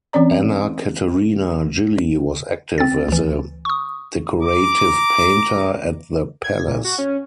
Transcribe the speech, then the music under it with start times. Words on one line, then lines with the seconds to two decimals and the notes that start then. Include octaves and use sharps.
Anna Caterina Gilli was active as a decorative painter at the palace.
0.13 E3 C4 C#4 D5 A#5
2.78 C4 A6
3.08 D2 E3
3.65 C#6 D#6
4.41 A#5 D6
6.44 G#6
6.67 A#2
6.84 F#4
6.98 C#4